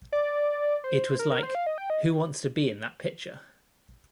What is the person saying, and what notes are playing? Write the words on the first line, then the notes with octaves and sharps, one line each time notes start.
It was like, 'Who wants to be in that picture?
D5
C5
A#4
A#4
C5
F5
D#5
G5
D#5